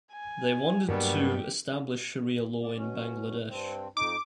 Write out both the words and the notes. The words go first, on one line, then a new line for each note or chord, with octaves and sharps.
They wanted to establish sharia law in Bangladesh.
G#5
G2 B2 F#3 G3 A#3 B3 D4 G4
D5
B2 C#4
G2 C4
F2 D#4 D6